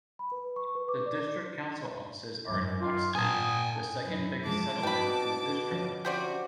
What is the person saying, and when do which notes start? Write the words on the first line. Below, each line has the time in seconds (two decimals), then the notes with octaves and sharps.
The district council offices are in Oxted, the second biggest settlement in the district.
0.19 B5
0.32 B4
0.56 C#6
0.75 B4
0.88 D6
1.06 D5
2.47 F#2 D6
2.80 F4
3.15 A#2 G#5 A5 D#6
4.05 F#2 C#4 E4
4.44 F3 G#3 E4 A5 D6
4.83 B2 C4 D#4 D5 G5 B5
5.23 B2
5.70 D3 F3 C#4
6.05 C3 F#4 G4 C5 D5